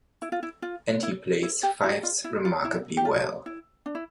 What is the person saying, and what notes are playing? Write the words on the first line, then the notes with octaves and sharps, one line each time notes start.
And he plays fives remarkably well!
E4
F4
E4
F4
E4
E4
G4
E4
F4
E4
F4
E4
G4
F4
E4
D4
E4